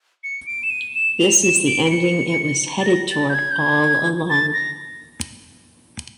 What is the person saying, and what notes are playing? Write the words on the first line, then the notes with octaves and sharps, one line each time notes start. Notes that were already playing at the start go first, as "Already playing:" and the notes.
This is the ending it was headed toward all along.
C#7
D7
E7
D#7
E7
F7
E7
D7
D7
C#7
A6
A#6
A6
G6
G#6
G6
G#6
A6
A#6